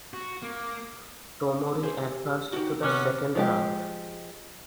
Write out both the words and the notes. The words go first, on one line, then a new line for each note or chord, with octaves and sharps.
Tomori advanced to the second round.
F#4
A#3
G#4 C5
G4
D#4 F#4 G4
C3 B3 C#4 C#5 D6 F6 F#6
F3 G#3 G4